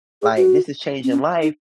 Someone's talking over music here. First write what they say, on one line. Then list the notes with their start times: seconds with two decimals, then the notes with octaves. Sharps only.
like, this is changing life,
0.22 G#4
0.37 F#4
1.04 C4
1.11 C#4
1.42 D#4